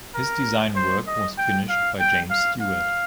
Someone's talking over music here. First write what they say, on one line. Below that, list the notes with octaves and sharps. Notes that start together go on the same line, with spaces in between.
His design work was finished by James Stewart.
A#4
C5
D#5
G5
F5
G5
F5
F5